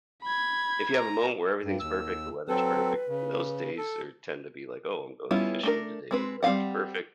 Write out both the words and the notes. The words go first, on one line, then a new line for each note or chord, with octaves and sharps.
if you have a moment where everything's perfect, the weather's perfect, those days are tend to be like, "Oh, I'm going fishing today, the weather's perfect,"
B5 G#6
A#5
G2
D#2 E6
F#3 C4 A4 B4
C#3
A4
G3 B3 C#4 E4 F4
A3 D4 A#4
G#3 C4 B4
G3 C4 D#4 F5 F#5